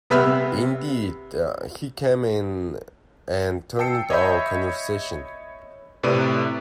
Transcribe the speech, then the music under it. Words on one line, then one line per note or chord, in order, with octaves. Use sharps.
Indeed, he came in and turned our conversation.
C3 B3 B4 E5 E6 F6
G5 A5 E6 C7 C#7
C#5 D#5 E5 B5 G6
A2 C3 B4 D5 D#7